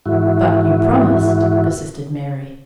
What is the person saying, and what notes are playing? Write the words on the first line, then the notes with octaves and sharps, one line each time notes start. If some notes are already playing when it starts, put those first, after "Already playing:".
"But you promised," persisted Mary.
G#2 E3 E4 F#4